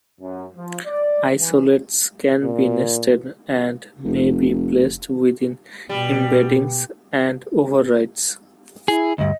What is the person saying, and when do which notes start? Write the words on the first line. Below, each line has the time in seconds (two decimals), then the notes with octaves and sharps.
Isolates can be nested, and may be placed within embeddings and overrides.
0.20 F#2
0.56 F3
0.85 D5
1.39 E3
2.43 A#2
4.05 F1
5.89 B2 G3
8.88 E4 G#4
9.18 D2 G2 D#5